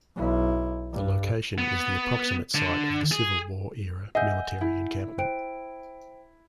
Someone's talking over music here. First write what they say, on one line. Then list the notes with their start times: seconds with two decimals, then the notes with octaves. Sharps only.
The location is the approximate site of the Civil War era military encampment.
0.17 B1 E4
0.92 G2
1.58 B3
2.55 D3
3.12 G#4
4.15 D#5 E5 F#5 G#5 G6
4.61 E4
5.18 C5 G5 D7